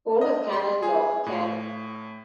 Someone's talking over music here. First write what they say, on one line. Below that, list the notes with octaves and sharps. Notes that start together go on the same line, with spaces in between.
"Code of Canon Law", can.
D#5
C6
G#4
A2